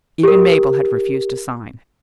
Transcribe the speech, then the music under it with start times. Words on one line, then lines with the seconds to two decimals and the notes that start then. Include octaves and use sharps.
Even Mabel had refused to sign.
0.23 G4 A#4